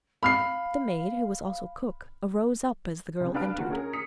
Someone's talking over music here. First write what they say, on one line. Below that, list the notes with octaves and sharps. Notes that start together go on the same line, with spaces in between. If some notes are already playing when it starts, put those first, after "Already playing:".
The maid--who was also cook--arose up as the girl entered.
F5 B5 F6 C7
C2 C#3
D4 B4 F5 B5 F6 D7
D#2 F4 F#4 A#4
C#4 G#4 A#4
D#6 B6 C#7 F7